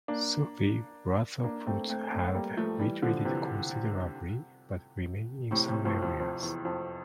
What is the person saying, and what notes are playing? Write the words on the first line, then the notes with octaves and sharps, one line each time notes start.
Sufi brotherhoods have retreated considerably, but remain in some areas.
A#3 D4
A#3 D4
A3 C4
A3 C4
A3 C4
G3 A#3
F3 A3
E3 G3
D3 F3
C3 E3
A2 C3
A2 C3
F2 A2
F2
F2
E2
F2